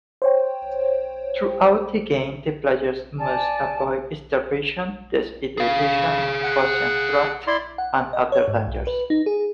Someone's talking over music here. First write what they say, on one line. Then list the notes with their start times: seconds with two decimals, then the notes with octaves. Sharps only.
Throughout the game, the player must avoid starvation, dehydration, poison traps, and other dangers.
0.22 C5 C#5 G5
3.19 D5 G#5 A5
5.58 G#4 F5
6.43 F#5
7.47 E4 D5 C6
7.78 F#5
8.13 D#5
8.32 C#5
8.48 G#2
8.67 B1
8.87 B4
9.10 D#4
9.26 G#4